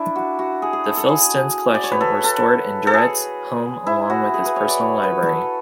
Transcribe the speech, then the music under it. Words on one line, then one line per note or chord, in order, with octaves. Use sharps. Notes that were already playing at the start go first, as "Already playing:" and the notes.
The Filson's collections were stored in Durrett's home along with his personal library.
Already playing: D4 E4
F#4
F#4
G#4
G#4
A4
A4
G#4
D5
C#5
B4
A4
A4
A4
G#4
E4
F#4
G#4
B4
C#5
D5
C#5
B4
A4